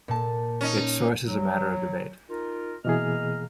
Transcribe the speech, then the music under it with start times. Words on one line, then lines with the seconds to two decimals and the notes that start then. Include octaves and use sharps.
Its source is a matter of debate.
0.08 A#2 A5
0.61 C#4 D#4
1.28 F#3
2.30 D#4 F4 A#4
2.85 B2 E3 A#3 G#4 D#5 F6